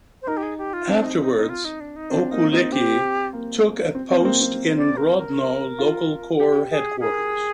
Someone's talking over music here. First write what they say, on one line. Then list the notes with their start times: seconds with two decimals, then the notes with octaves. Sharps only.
Afterwards Okulicki took a post in Grodno local corps headquarters.
0.22 C5
0.27 D#4 A#4
0.37 G4
0.43 G#4
0.58 G4
0.73 F4
0.88 C4 D4
1.04 D#4
1.20 D#4
1.35 D#4
1.49 F4
1.65 D#4
1.80 D4
1.96 D#4
2.11 C4 D4
2.31 A#3 D#4
2.51 C4 D#4
2.72 C4 G4
3.33 A#3
3.95 C4
4.10 C4
4.20 A#3
4.25 C4
4.41 C4
4.77 D5
4.97 A#4
5.18 A#4
5.78 F4
6.40 G4
6.70 G#4
7.00 G#4 A#4